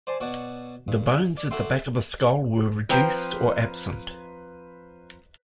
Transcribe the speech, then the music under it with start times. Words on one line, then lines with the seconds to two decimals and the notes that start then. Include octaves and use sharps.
The bones at the back of the skull were reduced or absent.
0.07 C5 D5 G#5 A5 C6
0.20 B2 C#5 D5 F#5 A5
0.88 G2
1.37 D5
1.51 F#4 G4 A4 E5 G5 C6
2.89 F3 C4 B4 C5 G5 A#5